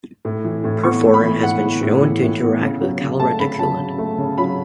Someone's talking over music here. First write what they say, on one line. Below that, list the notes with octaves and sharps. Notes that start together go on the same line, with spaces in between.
Perforin has been shown to interact with calreticulin.
A2
E3
A2
B3 C#6
A2
B5
E3
A2 F#5
B3
A2
E3
A2
B3
C#3
F#3
C#3
A3 A5
C#3 B5
F#3 A5
C#3
A3
C#3
F#3 B5